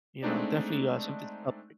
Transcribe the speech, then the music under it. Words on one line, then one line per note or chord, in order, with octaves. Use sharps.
you know, definitely uh something to celebrate.
G#3 A3 C4 D4 D#4 D5